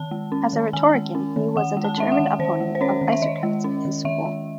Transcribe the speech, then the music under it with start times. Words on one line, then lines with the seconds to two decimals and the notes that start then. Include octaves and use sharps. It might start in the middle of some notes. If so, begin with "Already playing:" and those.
As a rhetorician, he was a determined opponent of Isocrates and his school.
Already playing: D#3 A5
0.11 G#3
0.32 C#4
0.53 D#3
0.73 D#3 G#5
0.95 G#3
1.15 C#4
1.36 D#3
1.56 D#3 F#5
1.77 G#3
1.84 A5
1.98 C#4 E5
2.12 F#5
2.19 D#3
2.39 D#3 C5
2.60 G#3
2.75 C5
2.81 C#4 C#5
3.01 D#3
3.12 E5
3.22 D#3 D#5
3.43 G#3
3.64 C#4
3.85 D#3
4.05 D#3 E5
4.25 G#3